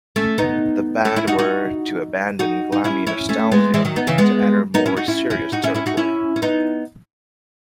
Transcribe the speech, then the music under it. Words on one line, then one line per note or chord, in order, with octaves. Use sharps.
The band were to abandon glammy nostalgia to enter more serious territory.
A3 C#4
B3 D#4
A3 C#4
C#4 E4
D#4 F#4
D#4 F#4
D#4 F#4
D#4
C#4 E4
C#4 E4
A3 C#4
G#3 B3
E3 G#3
D#3 F#3
B3 D#4
C#3 E3
G#3 B3
B3 D#4
C#4 E4
D#4 F#4
C#4 E4
C#4 E4
D#4 F#4
C#4 E4
C#4 E4
D#4 F#4
C#4 E4
C#4
B3 D#4